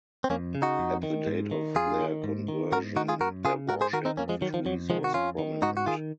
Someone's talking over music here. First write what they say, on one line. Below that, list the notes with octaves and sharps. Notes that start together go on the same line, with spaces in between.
At the date of their conversion, their worship of trees was prominent.
C4
F2 A#3 C#4
C#3
D#4 F#4
F2
D#3
G#2
D#3
F2 F4 G#4
D#3
G#2
D#3
G#2 F#4 A#4
D#3 D#4 F#4
F4 G#4
F#2 F#4 A#4
C#3 F4 G#4
G#2 F#4 A#4
G#4 C5
D#3 F#4 A#4
C4 D#4
F2 A#3 C#4
F3 G#3
D#3 F#3
F3
F2 F#3
C3 D#3 F3 G#3
F#4
F2 C#4 F4
D#3
G#2 D#4 F#4
F#4
D#3 F4 G#4